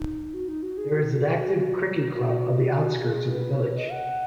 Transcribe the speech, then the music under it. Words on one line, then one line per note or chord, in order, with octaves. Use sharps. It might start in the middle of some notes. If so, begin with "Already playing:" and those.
There is an active cricket club on the outskirts of the village.
Already playing: D#4
F#4
D#4
F#4
G#4
F#4
D#4
F#4
G#4
F#4
F#4
G#4
B4
C#5
D#5
F#5